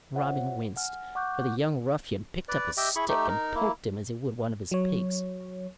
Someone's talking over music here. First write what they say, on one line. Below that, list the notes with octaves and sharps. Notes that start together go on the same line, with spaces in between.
Robin winced, for the young ruffian picked up his stick and poked him as he would one of his pigs.
F4 C5 C#5 E5 F#5
F#5 G#5 F6
F#5 C#6 D6 F#6 G6
B4 D5
G4 D#5 E5 G5
E4 G#4 B5 C#6
A3 D#4 G4
D#4 A#4
A#3 E4
F#3 C#5